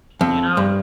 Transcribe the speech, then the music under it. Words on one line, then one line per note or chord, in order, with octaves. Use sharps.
you know,
F2
G2